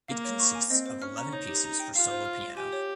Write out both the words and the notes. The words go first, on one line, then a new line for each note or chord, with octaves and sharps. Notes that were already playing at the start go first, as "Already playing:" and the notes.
It consists of eleven pieces for solo piano.
A#3 F5
C#5
C#6
G#5
C4 D#5
C5
C#4 F6
A#5
D#4 C#5
G4
A#5
G5
F4 F5
C5
F6
C6
G4 G#5
C#5